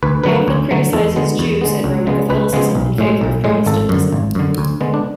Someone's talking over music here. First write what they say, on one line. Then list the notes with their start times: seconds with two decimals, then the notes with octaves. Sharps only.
He often criticizes Jews and Roman Catholicism in favor of Protestantism.
0.03 D2 B4
0.24 D3 F#3 A3 B4
0.48 D2
0.71 D3 F#3 A3
0.93 E2 A4
1.16 D3 G#3 B3
1.39 E2
1.61 D3 G#3 B3
1.84 C#2
2.07 C#3 G#3 B3
2.30 C#2 B4
2.53 C#3 G#3 B3
2.75 B1
2.98 A2 G#3
3.21 B1
3.44 A2 G#3
3.66 G#1 A4
3.89 F#2 D3
4.12 G#1
4.35 F#2 D3
4.58 D2
4.81 D3 G#3 B3
4.94 D4